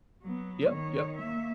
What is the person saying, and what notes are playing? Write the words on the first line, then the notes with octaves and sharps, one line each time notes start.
Yep, yep.
F#3 B3
D#3 C#5
A#3 E5